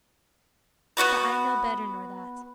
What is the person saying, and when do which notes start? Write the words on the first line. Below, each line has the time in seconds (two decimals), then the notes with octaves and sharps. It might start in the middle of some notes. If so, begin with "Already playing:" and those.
But I know better nor that.
0.97 B3 D4 F#4 B4